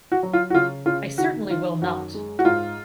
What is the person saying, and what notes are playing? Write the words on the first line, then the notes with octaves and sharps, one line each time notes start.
I certainly will not!
F#4
F#3
F4
F#4
C#3 F4
C#3 F4
D#3 F#4
D#3 F4
F#2 F#4
G#3
F#4
G#2 F4